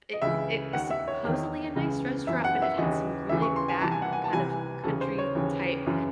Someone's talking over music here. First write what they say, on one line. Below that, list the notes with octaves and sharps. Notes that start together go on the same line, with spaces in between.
it it is supposedly a nice restaurant, but it had some really back, kind of, country type,
D#5
C#2 C#3 E3 E5
D#2 D#3 F#5
E5
C#5
E2 D#3
C#2 C#3 E3
F#2 E3 E5
F#5
E5
D#2 C#3 E3 D#5
D#2 C#3 E3 E5
C#6
C6
G#5
C2 C3 E3 A5
G#5
F#5
G#5
A5
C2 C3 E3 G#5
D#2 C#3 E3 A4
C5
C#5
D#2 C#3 E3
F#2 C#3 E3